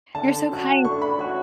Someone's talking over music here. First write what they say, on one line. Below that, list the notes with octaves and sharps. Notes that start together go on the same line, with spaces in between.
You're so kind.
D3 A5
F#3 C#4 F#4
D3 C#6
B5
F#3 C#4 F#4 C#6